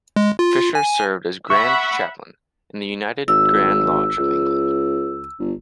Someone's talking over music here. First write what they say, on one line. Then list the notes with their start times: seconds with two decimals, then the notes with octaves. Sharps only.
Fisher served as Grand Chaplain in the United Grand Lodge of England.
0.16 G#3
0.39 F4
0.75 G#5
1.50 E5 F#5 B5 C#6
3.28 G#1 E6
4.19 C#2
5.39 G1